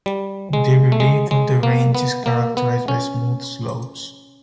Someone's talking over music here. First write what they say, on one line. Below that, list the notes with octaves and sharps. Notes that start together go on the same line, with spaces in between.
The relief of the range is characterized by smooth slopes.
G3
G#3
A3
G#3
G#3
A#3
B3
A#3
B3
C#4